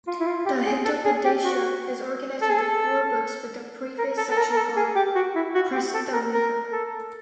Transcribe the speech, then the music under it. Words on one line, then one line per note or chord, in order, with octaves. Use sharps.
The "Hitopadesha" is organized into four books, with a preface section called "Prastavika".
F4
E4
F4
G4
G#4
A4
G#4
G4
F#4
A4
G#4
A4
A#4
A4
A4
A#4
A#4
A4
G#4
G4
F#4
E4
F#4
G4
A4
A#4
A#4
A4